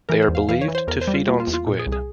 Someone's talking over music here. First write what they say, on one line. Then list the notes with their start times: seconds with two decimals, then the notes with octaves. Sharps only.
They are believed to feed on squid.
0.09 E3 A#4
0.22 C5
0.29 E2
0.35 F5
0.49 E3 F5
0.61 C#5
0.68 E3
0.75 C5
0.87 E2 A#4
1.01 C5
1.08 G3
1.14 F4
1.27 A#3 F4
1.40 F4
1.47 E2
1.54 F4
1.67 A#2
1.79 G#4
1.87 C2
1.92 G#4